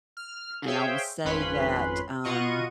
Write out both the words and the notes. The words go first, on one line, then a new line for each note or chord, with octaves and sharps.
And I will say that, um
F6
G#4 C5 C#5 E5 F5 G5
G#1 F2 C#4 B4 B5 C6
B2 F4 D#5 F#5 C#6 D#7